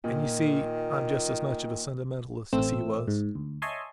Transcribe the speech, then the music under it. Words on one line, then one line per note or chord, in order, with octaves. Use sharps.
And, you see, I am just as much of a sentimentalist as he was.. ..
A#2 D#3
A1 A3 C4 E6
G#2
D2
C#5 D#5 E5 G#5 A5 C6